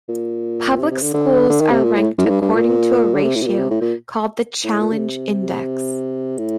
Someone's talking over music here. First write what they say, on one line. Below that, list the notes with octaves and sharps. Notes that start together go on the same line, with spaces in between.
Public schools are ranked according to a ratio called the Challenge Index.
A#2
C3
C3
D3
D3
D3
D#3
C3
A#2
A2
F#2
A2
G2
G2
A#2
D3
C3
A2
C3
A#2
C3
A2
A#2
A2
A#2
D3
C3
A2